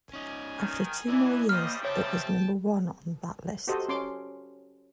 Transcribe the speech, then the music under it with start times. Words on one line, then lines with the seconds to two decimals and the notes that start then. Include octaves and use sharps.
After two more years, it was number one on that list.
0.13 C#4 D#4 G#5
0.58 D#3
1.08 E3 E4 D5 D#5
1.49 G2 C#3 G3 A#3 C5 D#5 F6
1.85 C5 C#5 E5 G5 A5
3.67 F#4 G4 A4 C5 D#5
3.89 C#4 C6 D6